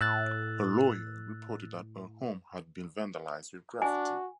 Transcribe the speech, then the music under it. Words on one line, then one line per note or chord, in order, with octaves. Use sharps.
Her lawyer reported that her home had been vandalised with graffiti.
A2 E6 F#6 A6
D4 F#4 G#5